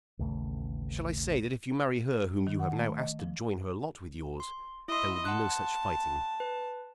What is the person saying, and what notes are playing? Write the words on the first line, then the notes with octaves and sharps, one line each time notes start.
Shall I say that if you marry her whom you have now asked to join her lot with yours, there will be no such fighting?
A1 D#2 C#3 A3
D#3
F#5
A3
D#5
F3
C6
E4 D#5 E5 C6
F#5 A5 C6 F#6
B4